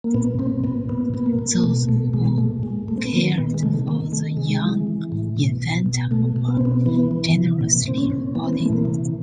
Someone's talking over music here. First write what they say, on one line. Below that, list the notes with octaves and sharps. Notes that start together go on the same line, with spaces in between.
Those who cared for the young infanta were generously rewarded.
A#3
A#2 B3
A#2 C4
A#2 B3
A#2 B3
A#2 B3
A#3
A#2
A#3
B2 A3
B2 A3
B2 G#3
A#2 A3
A#2 G#3
A#2 A3
C4
B3
D#3 A#3
D#3 B3
G#3
C3 A3
D#3 A#3
D#3 A3
C3 G#3
E3
E3
A2
B2
B2
B2
B2 A3
B2
B3
C4
B2 B3
E3 B3
E3
C3
A#2
A#2 C4
C#4
A#2
E3 B3
C4
B3
E3
A3
A#3
C3